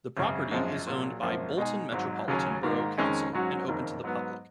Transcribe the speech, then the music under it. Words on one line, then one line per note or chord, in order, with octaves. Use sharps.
The property is owned by Bolton Metropolitan Borough Council and open to the public.
G#1 F#2 C#3
G#1 F#2 F3 G#3
A#1 A#2 F#3
G#1 F#2 F3 A#3
B2 G#3 D#4 G#4
G#1 G#2 F#3
D#2 C#3 F#3 C#4 G#4
G#2 D#3 A#3
F2 D#3 G#3 C#4
G#2 F#3 C#4 F#4
F#1 F2 D#3 A#3 D#4
G#2 F#3 B3